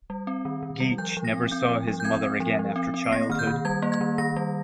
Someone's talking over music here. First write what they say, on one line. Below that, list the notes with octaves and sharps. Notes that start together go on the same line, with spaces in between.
Geach never saw his mother again after childhood.
G3
C4
D#3
D#3
G3
F3 G6
F3
A#6
C4
C4 G6
F3
F3
G6
C4 G#6
C4
F3
F3
C4
C4
C7
A#3 A#6
D#3 F6
G6
D#3
G3 G#6
A#3
G#6
D#3
D#3 A#6
G3